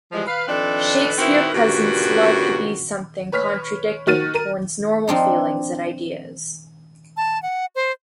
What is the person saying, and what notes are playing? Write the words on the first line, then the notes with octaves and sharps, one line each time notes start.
Shakespeare presents love to be something contradicting to one's normal feelings and ideas.
E3 F3 G3 G#3
B4 F5
F3 C4 D4 D#4 A4 B4
D#3 C4 E4 F#4 A#4 B4
G2 A#2 C#3 E3 F#4
B4 C#5 F6 B6
D#3 F#4 F6 A6 D#7
A#4 D#7
F3 C4 D4 D#4
A5
F#5
C5